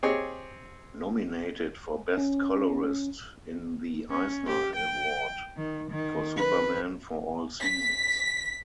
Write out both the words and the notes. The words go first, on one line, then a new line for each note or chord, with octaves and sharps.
Nominated for Best Colorist in the Eisner Award, for "Superman For All Seasons".
C4 G4 G#4 C#5 D#5
C#4
C#4
G4
G5
D#3
D#3
B4
B6